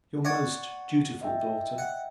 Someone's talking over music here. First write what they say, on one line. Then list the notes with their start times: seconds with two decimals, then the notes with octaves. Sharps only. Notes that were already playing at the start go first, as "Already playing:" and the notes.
Your most dutiful DAUGHTER.
0.25 C#5 D5 F#5
1.21 D#5 E5 G5
1.78 F#5